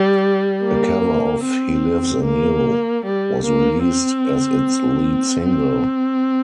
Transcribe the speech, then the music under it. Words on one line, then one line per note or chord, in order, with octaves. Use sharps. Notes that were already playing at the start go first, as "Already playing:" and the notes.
A cover of "He Lives in You", was released as its lead single.
Already playing: G3
A#3
C4
A#3
G3
A#3
C4
C4